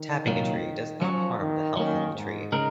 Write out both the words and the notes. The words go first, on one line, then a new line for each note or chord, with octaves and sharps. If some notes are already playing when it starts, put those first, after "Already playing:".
Tapping a tree does not harm the health of the tree.
Already playing: D#3
C2 A#2 F#3 A#3
F3 F#3 C#4 F#4 C#5
D#3
D#3 F#3 A#3 C#4
G#2
C#3 G#3 D#4 A#4